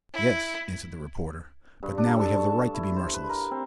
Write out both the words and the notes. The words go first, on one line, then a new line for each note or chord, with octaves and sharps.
"Yes," answered the reporter, "but now we have the right to be merciless!"
E4
G2
D4
A4
A5
C#6
E4
C5
B4
A#4
C4